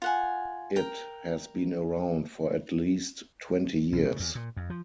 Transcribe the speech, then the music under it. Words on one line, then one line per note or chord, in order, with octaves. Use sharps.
It has been around for at least twenty years.
F4 F#5 G#5
A#4 G5
B1
C#3
E2
A#2
F2
F3